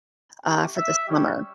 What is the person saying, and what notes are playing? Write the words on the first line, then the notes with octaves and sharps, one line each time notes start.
uh, for the summer.
A3 C#4 G4
E5
G3 C#4 G4